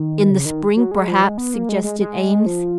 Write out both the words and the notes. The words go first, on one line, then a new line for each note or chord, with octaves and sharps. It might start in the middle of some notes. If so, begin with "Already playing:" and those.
"In the spring, perhaps," suggested Eames.
Already playing: D#3
C#3
D#3
F#3
G#3
F3
G#3
B3
A#3
G#3
G#3
G#3
F3